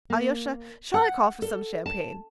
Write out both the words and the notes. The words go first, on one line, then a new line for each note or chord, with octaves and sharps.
Alyosha, shall I call for some champagne?
A#3
F#5
A4
A5